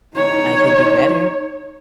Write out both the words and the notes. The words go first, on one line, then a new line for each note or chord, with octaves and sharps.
I can do better,
D#4 C#5